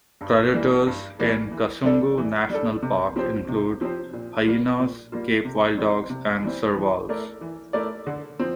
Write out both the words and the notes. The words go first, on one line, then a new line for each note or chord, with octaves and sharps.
Predators in Kasungu National Park include, hyenas, Cape wild dogs and servals.
G2
E3 G3 A#3
G2
E3 G3 A#3
E3
G3 D4 A4
E3
G3 D4 A4
C3
F3 C4 G4 C5
C3
F3 C4 G4 C5
A#2
G3 A#3 F4
A#2
G3 A#3 F4
C3
E3 G3 C4
C3
E3 G3 C4
E3
A3 E4 A#4 D5
E3
A3 E4 A#4 D5
D3
F3 C4